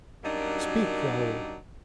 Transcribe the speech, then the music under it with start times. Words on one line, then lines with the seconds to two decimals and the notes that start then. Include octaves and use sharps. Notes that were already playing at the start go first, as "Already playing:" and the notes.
"Speak, Raoul."
0.24 F#2 F#3 G3 A#3 D4 D#4